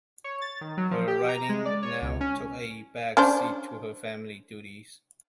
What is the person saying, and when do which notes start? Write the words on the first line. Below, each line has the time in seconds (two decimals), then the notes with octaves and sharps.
Her writing now took a back seat to her family duties.
0.24 C#5
0.42 A6
0.61 D#3
0.77 F#3
0.91 F3
1.07 G4
1.29 A#5
1.49 G#3
1.65 D5
1.83 C#5
2.02 C#2
2.21 C#4
3.17 C#4 D4 C5